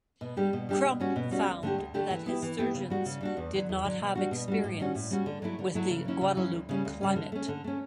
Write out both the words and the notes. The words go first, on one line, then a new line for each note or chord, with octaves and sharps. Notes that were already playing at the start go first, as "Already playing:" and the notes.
Crump found that his surgeons did not have experience with the Guadeloupe climate.
B2
G3 D4 G4
B2
G3 D4 G4
B2
G3 C#4 F#4
B2
G3 C#4 F#4
D2
D3 A3 D4 G4
D2
D3 A3 D4 G4
E3
B3 E4 G4
E3
B3 E4 G4
C#3
G3 D4 F#4
C#3
G3 D4 F#4
E2
D3 F#3
E2
D3 F#3
B2
G3 D4 F#4
B2
G3 D4 F#4
A2
G3 C#4 F#4
A2
G3 C#4 F#4
D3
F#3 A3 E4
D3
F#3 A3 E4
C#3
F#3 C#4 E4
C#3
F#3 C#4 E4
D2
C#3 G3 C#4
D2
C#3 G3 C#4
D3
A3 C#4
D3
A3 C#4